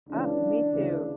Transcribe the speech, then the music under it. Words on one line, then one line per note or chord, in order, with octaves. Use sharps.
Uh, me too.
C#2 C#3 E3 D4
D2 C#3 E3